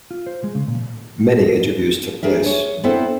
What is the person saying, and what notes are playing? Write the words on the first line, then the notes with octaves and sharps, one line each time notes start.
Many interviews took place.
F4
C5
G#3
C#3
A#2
D4 G#4 A#4 E5
G#4 C#5
B3 C4 D4 E4 A4 C5